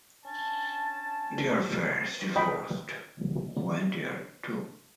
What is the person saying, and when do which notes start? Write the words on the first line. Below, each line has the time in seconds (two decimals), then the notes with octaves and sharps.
Their parents divorced when they were two.
0.24 C#4 D4 G#5 A5
2.36 D#5 G5 B5